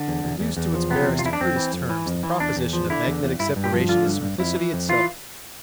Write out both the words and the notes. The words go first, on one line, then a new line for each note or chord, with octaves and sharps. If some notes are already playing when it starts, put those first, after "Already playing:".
Reduced to its barest, crudest terms, the proposition of magnetic separation is simplicity itself.
Already playing: D3
E2
E2
E2
E2
F3
C3 B3
E2
F4
E2 E4
D4
F2 C4
E3
F2
E3
F2
E3
E2 D4
E2
F3
D3 E4
E2
E2
G2 E4
G2
G4
F3
D3 F4
G2
G2
F2 E4
E3
F2
E3 F4